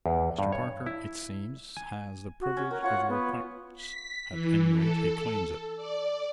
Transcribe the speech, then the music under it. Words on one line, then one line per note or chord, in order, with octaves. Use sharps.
Mr. Parker, it seems, has the privilege of your acquaintance--at any rate he claims it.
E2
G2
C#5
E4
G#5
F#4
C#4
F#4 A#4
C#4 F4 C#5 F#5
B3
B6
E3
A4
D5